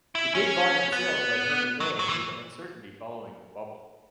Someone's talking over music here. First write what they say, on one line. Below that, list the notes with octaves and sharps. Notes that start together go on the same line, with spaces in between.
The big volume of sales led Herman Miller through the uncertainty following the bubble.
E4
C#4
B3
F#3
F#3
E3